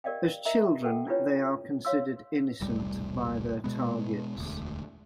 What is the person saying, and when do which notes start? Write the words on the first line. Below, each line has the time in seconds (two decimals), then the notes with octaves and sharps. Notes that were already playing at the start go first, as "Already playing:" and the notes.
As children, they are considered innocent by their targets.
0.04 G4 A#4 D5 D#5 F5 G5
0.45 A#4 D#5 E5 A#5
0.82 G4 A4 F#5 G5
1.07 D4 E4 F4 G4 B4 C#5
1.85 C#5 F5 C6 E6
2.61 E1 C2 A2 G3
3.64 B2 G#3 B3
4.37 E1 D2